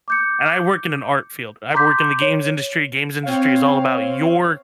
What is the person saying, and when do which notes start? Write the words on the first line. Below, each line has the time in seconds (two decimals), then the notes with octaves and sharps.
and I work in an art field, I've worked in the games industry, games industry is all about your
0.08 D6 G6 C#7
1.74 A#5 C6 D6 G6 B6
2.21 C#5
3.23 C4 C#5 F5